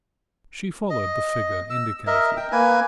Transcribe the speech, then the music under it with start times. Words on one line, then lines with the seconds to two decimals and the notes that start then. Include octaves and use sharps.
She followed the figure indicated.
0.90 D#5
1.70 E6
2.07 A#4 D#5 E5
2.37 G5
2.52 A#3 B4 G#5